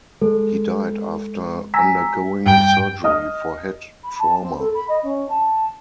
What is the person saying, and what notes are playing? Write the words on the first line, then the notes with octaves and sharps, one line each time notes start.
He died after undergoing surgery for head trauma.
G#3 A4
G#5 A#5 E6 B6
G2 G5
D#5 D#6 F6
B5
A5
C4
A4
B5
D#5
C#4
A5